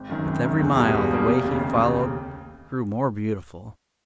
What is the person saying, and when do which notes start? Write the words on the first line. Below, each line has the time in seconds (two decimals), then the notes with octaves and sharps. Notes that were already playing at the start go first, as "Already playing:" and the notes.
With every mile the way he followed grew more beautiful.
Already playing: G#1
0.09 F#2 D#3
0.26 G#1
0.43 F#2 D#3
0.59 E2
0.77 B2 G3 A#3
0.94 E2
1.11 B2 G3 A#3
1.28 F1
1.44 D#2 C#3
1.61 F1
1.78 D#2 C#3